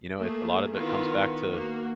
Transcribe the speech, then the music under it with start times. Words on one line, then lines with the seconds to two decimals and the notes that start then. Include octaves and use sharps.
You know, a lot of it comes back to
0.18 A3 A#3 G#4
0.75 D#3 B3 E4 F4
1.51 A#3 F#4